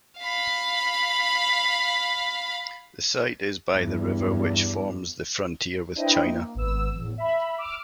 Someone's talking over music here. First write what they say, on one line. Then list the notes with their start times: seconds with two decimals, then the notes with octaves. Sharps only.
The site is by the river which forms the frontier with China.
0.20 F5 B5
3.75 E2 G2
5.95 D4 E4 B4 C5 D#5 G5
6.25 A#3
6.55 G#1 B3 E6
6.95 E2 A2
7.18 E5 B5
7.58 D6 E6 F6